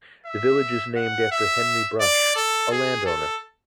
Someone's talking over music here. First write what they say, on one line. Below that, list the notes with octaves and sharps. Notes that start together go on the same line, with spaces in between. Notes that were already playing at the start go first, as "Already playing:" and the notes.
The village is named after Henry Brush, a land owner.
E5
F#5
E5
D5
A4
G#4
A4